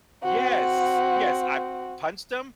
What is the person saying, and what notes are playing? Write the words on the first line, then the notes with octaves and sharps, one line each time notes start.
Yes, yes, I punched him,
C4 F#4